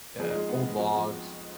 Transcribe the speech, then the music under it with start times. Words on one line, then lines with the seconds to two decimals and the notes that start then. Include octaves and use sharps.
uh, old logs,
0.19 F2 G#4
0.30 D#4
0.34 G#3 F4
0.49 B3
0.63 G#3 G#4
0.78 F2 F#4
0.93 F2 F4